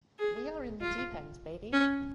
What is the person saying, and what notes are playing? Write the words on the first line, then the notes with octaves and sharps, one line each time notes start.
We are in the deep end baby.
G#4
F4
C#4